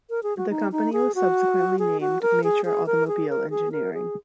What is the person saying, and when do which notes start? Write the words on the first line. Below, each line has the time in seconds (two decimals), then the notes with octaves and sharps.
The company was subsequently named Matra Automobile Engineering.
0.10 A#4
0.23 G#4
0.37 F#4
0.50 D#4
0.72 D#4
0.93 G#4
1.15 F#4
1.79 G#4
2.01 F#4
2.22 A#4
2.44 G#4
2.65 G#4
2.86 A#4
3.08 G#4
3.29 A#4
3.50 G#4
3.72 A#4
3.94 G#4